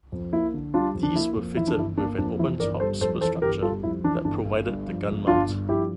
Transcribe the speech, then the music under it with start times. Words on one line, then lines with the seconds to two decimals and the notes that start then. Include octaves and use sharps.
These were fitted with an open-top superstructure that provided the gun mount.
0.12 F2
0.33 A#3 E4
0.54 D3
0.74 G3 D4 F4
0.94 F2
1.03 D4
1.16 A#3 E4
1.36 F2
1.57 E3 E4
1.68 D4
1.77 G1 E4
1.98 A#3 D4
2.18 F2 D4
2.39 E3 E4
2.60 G1 A#4 D5
2.80 G3 A4 C5
3.01 F2 A4 C5
3.21 E3 A4 C5
3.42 G1 G4 A#4
3.62 G3 F4 A4
3.83 F2 E4
4.04 E3 D4
4.25 G1 D4
4.45 G1
4.66 G2
4.86 F3
5.07 G1
5.27 G1 D4 F4
5.49 G2
5.69 F3 E4 G4